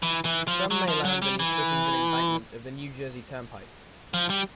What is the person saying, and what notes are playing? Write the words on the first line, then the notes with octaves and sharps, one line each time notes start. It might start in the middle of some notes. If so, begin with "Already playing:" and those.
Some may lie underneath footings and embankments of the New Jersey Turnpike.
E3
E3
F3
F#3
F3
F#3
G3
E3
F3
G3